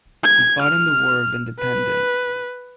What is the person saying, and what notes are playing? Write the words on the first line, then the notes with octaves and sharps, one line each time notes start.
He fought in the War of Independence.
G#6
F6
B4